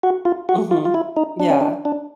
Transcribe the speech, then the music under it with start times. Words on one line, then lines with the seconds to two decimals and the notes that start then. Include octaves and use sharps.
Mhm. Yeah.
0.03 F#4
0.25 F4
0.49 F#4
0.71 F4
0.85 F4
0.94 E4
1.17 D#4
1.40 D4
1.50 C#4
1.61 D4
1.85 D4